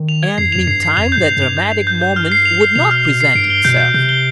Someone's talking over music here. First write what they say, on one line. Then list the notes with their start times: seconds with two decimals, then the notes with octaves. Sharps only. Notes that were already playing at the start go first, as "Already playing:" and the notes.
And meantime the dramatic moment would not present itself.
Already playing: D#3
0.09 F7
0.23 G#6
0.38 F2 C7
0.52 F2 F7
0.67 G2 C7
0.83 C7
0.97 F2 F7
1.12 G6
1.18 G2
1.26 F7
1.37 G2
1.42 F7
1.57 G6
1.72 F7
1.87 G6
2.01 G6
2.16 F6
2.32 C7
2.45 F7
2.61 C7
2.76 B2 F7
2.91 F6
3.05 F7
3.21 C7
3.35 G2 D7
3.50 G7
3.65 B2 G6
3.80 G6
3.94 C3 G6
4.09 G7